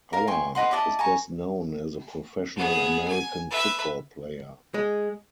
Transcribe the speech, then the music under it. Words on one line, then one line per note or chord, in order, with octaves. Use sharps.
Auer is best known as a professional American football player.
A#4 F5
G5 G#5 C6 C#6
B4 D#5 F#5 C6
E4 D5 D#5 A5
G#5 A#5 C#6
B3 G#4
G#5
B4 E5
G#3